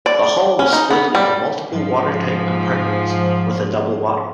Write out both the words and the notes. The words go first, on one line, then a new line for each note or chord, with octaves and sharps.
The hull was split into multiple watertight compartments, with a double bottom.
D5
C#4
D#4
B3
G3
G#2 F3